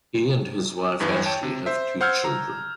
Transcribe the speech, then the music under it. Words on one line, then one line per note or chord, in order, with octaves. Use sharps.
He and his wife Ashley have two children.
E2 G2 E3
C#5 G5 A5
C3
C5 E5
C5 F#5 E6 F6 G6 G#6
A#5